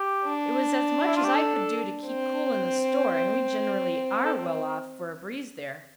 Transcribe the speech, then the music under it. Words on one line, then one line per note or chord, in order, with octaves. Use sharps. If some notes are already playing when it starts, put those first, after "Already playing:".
"It was as much as I could do to keep cool in the store, and we generally ARE well off for a breeze there."
Already playing: G4
D4
E4
F4
G4
A4
C4
A4